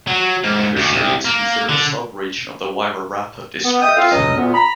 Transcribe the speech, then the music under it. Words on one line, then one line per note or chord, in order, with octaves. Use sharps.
Officially it is considered a sub-region of the Wairarapa district.
F#3
G#2
D2
C2
A#3
D3
B3
D#5 E5 G5 D#6
C4 F4 A4 F5
C#2 F#3 C#4 D#5
D2 A#2 B3
A#5 B5